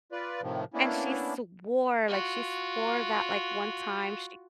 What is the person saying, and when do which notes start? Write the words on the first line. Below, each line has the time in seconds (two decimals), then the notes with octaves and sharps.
And she swore, like, she swore that, like, one time she
0.12 F4 B4 D5
0.42 A2 C3 D#3 F3
0.74 A#3 B3 C#4 D4 E4
2.09 F4 F#4